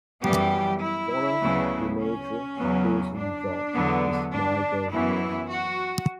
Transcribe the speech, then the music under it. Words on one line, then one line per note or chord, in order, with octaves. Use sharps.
One of the major schools in Jos is Maygo High School.
F#2 E3 G3 B3 G4
E4
D2 C#3 F#3 B3
C#4
E2 C#3 F#3 B3
D4
E2 D3 F#3 B3
D4
F#2 E3 B3 E4
F#4